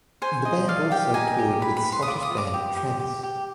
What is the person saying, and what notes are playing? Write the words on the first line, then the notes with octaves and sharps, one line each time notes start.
The band also toured with Scottish band Travis.
C5 G#5
D#5
D5 F5
G4 G5
D#4 G#5
G4
B4 B5
B5
B4
C6
D#6
F4 D6
D#6
F4
D6
G4
G4
G4
G4